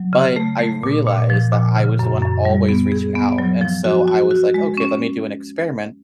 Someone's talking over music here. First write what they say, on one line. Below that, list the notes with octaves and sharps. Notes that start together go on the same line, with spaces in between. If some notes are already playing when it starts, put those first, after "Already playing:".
but I realized that I was the one always reaching out, and so I was like, "Okay, let me do an experiment.
Already playing: F#3
C#3
A3
A3
A#2
A#2
F3
A#2
C#3
F#2
F#2
G3
B3
G#4
B3
F#3
F3
F#4
F#4
F#4
G#3
C#4